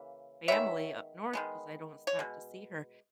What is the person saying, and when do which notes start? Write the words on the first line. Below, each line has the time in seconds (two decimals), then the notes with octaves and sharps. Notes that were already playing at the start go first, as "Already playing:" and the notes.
family up north because I don't stop to see her.
Already playing: C#3 E3 A#3
0.48 D#3 G#3 B3 C#5 E5
1.33 D#3 G#3 B3
2.07 C#5
2.19 B2 G#3